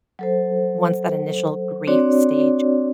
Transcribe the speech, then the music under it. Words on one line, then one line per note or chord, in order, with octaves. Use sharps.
O once that initial grief stage
F#3 A4 C5
C4 D4 F#4 C#5 D5